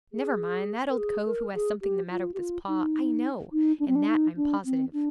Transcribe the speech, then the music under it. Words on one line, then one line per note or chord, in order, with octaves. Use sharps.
"Never mind, that old cove who has something the matter with his paw I know, and that I'm positive."
G#4
A#4
G#4
A#4
G#4
G4
F4
G4
F4
D#4
D#4
D4
C4
D4
D#4
D4
C4
D4